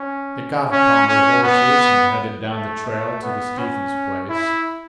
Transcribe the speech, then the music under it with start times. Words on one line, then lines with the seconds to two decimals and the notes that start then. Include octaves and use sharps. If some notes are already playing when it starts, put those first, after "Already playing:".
They got upon their horses and headed down the trail to the Stevens place.
Already playing: C#4
0.72 C#4
1.07 C#4
1.43 B3
2.50 A3
2.86 A3
3.22 B3
3.58 C#4
4.30 E4